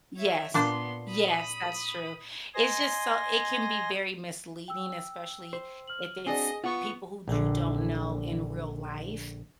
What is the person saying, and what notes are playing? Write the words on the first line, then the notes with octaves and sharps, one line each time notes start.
Yes, yes, that's true, it's just so it can be very misleading, especially if it's people who you don't know in real life
C#5 E5
A#2 B3 D4 C5 C6
B5 D#6
D#5 G#5 C6 A#6
G5 E6
C5
F6 F#7
C4 D4 F#4 G#4 D#5 G#5
B3 F4 F#5 C#6
A#1 D3